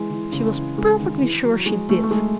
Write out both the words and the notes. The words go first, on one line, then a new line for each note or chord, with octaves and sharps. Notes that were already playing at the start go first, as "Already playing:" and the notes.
She was perfectly sure she did.
Already playing: E3 G#3
E3
C#3
E3
G#3
D#3
E3
F#3
G#3
A3
A3
G#3